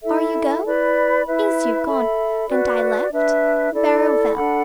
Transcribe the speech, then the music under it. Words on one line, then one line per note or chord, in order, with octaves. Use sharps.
Are you go?--Is you gone?--And I left?--Vera vell!
E4 A4 E5
E4 B4 D5 B5
E4 B4 E5
A4 E5 B5
F#4 B4 D5
D4 B4 E5
E4 A4 D5
D4 A4 F#5 B5